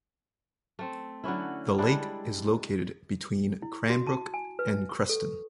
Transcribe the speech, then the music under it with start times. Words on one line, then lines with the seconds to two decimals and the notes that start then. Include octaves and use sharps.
The lake is located between Cranbrook and Creston.
0.79 A3 C4
1.24 D3 F#3 C#4 E4
1.78 G3 G#3 D4 E4
3.62 E4
3.90 F#4
4.07 A5
4.34 G#5
4.59 B4
4.89 C#6
5.09 A4